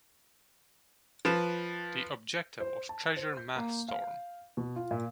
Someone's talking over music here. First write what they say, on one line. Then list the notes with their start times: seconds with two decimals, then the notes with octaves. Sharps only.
The objective of Treasure MathStorm!
1.25 F3 B4 E7
2.60 C5
2.89 A5
3.17 C5
3.37 G6
3.56 A#3
3.89 F5
4.57 B2
4.76 F4
4.91 A#2